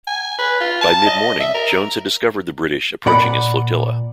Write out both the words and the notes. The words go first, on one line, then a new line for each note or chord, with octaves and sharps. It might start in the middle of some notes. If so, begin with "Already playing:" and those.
By mid-morning Jones had discovered the British approaching his flotilla.
G#5
B4
F4
A5
D#5
E5
A#4
A#2 D5 F#5 B5